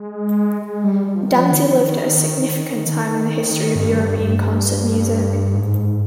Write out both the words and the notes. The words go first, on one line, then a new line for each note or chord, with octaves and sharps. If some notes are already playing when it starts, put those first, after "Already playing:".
Danzi lived at a significant time in the history of European concert music.
Already playing: G#3
G#3
G3
G3
F3
D#3
F3
D#3
D#3
D#3
G2
G2
G#2